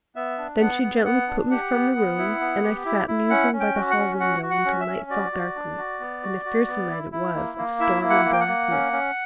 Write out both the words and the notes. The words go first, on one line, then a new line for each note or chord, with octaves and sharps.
Then she gently put me from the room, and I sat musing by the hall window until night fell darkly--and a fearsome night it was, of storm and blackness.
B3 E5
D4
B3 F#5
B3
B3 F#5
D4
G4 F#5
B3
B3
E4
B3
G4
E4
E4
C#4 F#5
C#4
G5
F#4
F#5
C#4
F#4 F#5
F#4
F#5
C#4
E5
C#4
F#4 D5
F#4
D4
F#4
B3
F#4
F#4
B3
E4
E4
A#3
A#3
E4 E5
A#3
F#5
A#3
G5
F#5
A#3
C#4
C#4